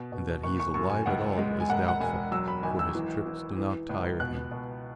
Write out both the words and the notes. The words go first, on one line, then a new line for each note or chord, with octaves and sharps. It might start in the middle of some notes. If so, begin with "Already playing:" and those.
And that he is alive at all is doubtful, for his trips do not tire him.
Already playing: B2
B2
F#1 C#6
C#6
F#2 C#6
G#5
C#2 F#5
G#3
G#5
E1 F#5
F#5
E1 G#5
F#3 E6
B5
G#1 G#5
E6
E3
E3
E3
C#2
B2 F#6
B2